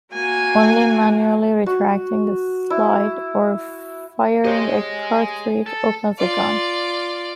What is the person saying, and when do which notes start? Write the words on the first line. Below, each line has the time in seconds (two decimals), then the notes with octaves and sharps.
Only manually retracting the slide or firing a cartridge opens the gun.
0.13 A#3 F#4 G#5
1.66 F#4
2.70 E4
4.45 G4 G#4 C5 C#5 D#5
5.66 A4
6.18 F4 D5